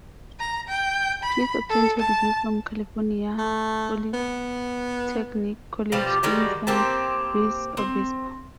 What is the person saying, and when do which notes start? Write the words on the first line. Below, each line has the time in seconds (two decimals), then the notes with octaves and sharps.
Chase obtained her degree from California Polytechnic College in San Luis Obispo.
0.40 A#5
0.68 G5
1.23 B5
1.69 A4
1.99 A5
3.38 A3
4.13 B3
5.92 B2 F3 G3 G4
6.23 D#3 G3 G#3 F#4
6.67 A#3 C4 G4 A5
7.77 C4